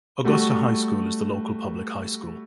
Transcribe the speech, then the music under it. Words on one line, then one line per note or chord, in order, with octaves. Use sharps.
Augusta High School is the local public high school.
G3 A3 F#4